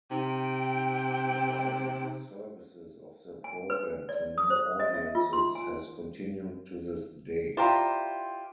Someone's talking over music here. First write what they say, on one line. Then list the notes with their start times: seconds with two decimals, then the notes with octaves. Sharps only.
Providing the services of the program to new audiences has continued to this day.
0.11 C3 D#4 G5
3.44 G#5
3.70 B4
4.09 D5
4.38 D#6
4.50 C5
4.79 D#5
4.94 E5
5.15 F4
5.33 C6
5.55 G#5
7.57 E4 F4 G4 C5 D5 F5 A#5